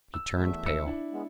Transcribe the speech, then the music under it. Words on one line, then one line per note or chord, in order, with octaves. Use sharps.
He turned pale.
E6
E2 A3 E5
E6 C#7
D4 E4
G#3 B3